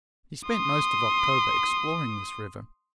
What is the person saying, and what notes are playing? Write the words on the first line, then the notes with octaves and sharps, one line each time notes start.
He spent most of October exploring this river.
C6 D#6